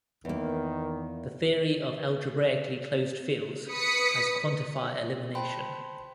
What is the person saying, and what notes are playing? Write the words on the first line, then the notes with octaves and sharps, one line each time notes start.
The theory of algebraically closed fields has quantifier elimination.
E2 D#3 A#3
B4 D#6 B6 C#7
C5 G5 A5 B5 C6